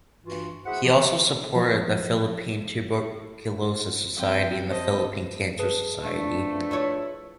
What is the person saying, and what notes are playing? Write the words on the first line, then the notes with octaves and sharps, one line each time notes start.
He also supported the Philippine Tuberculosis Society and the Philippine Cancer Society.
G2 E3 F4 F#4
E4 F#4 G#4 C5 E5 F#5
E3 F3
F3
F3 C4 G5
C5 D#5 A5
G#4 B4 A5
F3 A3 D4
E4 F4 C#5